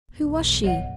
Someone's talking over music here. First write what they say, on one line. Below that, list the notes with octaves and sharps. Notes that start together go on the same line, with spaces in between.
Who was she?
B1 E2 G2
G#1 C#2 C#5 D#5 F#5